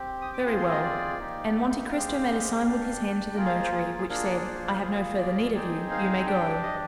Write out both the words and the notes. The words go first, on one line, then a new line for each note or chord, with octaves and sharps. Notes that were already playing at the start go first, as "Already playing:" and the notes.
"Very well;" and Monte Cristo made a sign with his hand to the notary, which said, "I have no further need of you; you may go."
Already playing: C4 G4
D#6
D6
C4 F4 G#4 C6
C6
D#5
D5
A#3 D#4 G4
G#3 C4 G4 F5
D4 G4
A#3 F4 G#4 G5
F5
D#5
C5
G#4
G#4
A#3 D4 F4 G#4 A#4
C5
A#3 F4 G#4
D5
C4 D#4 G#4
F5
D4 G4 G5
D#5